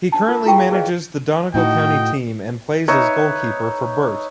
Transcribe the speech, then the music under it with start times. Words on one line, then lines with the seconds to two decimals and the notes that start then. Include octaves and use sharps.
He currently manages the Donegal county team and plays as goalkeeper for Burt.
0.12 D4 A5
0.29 F4 A#4
0.46 E4 F4 G#4 G5 C#6
0.58 G#4 F5
0.72 G#4 B4 C5 D5 D#5 F5
1.54 A2 D#4 F#4 D#5 G5
2.88 D#4 B4 C#5 E5